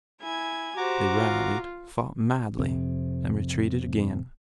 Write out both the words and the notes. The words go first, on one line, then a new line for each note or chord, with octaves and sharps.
They rallied, fought madly, and retreated again.
E4 G#5 G#6
F#4 G4 C5 A#5 D6
F4
F2 C3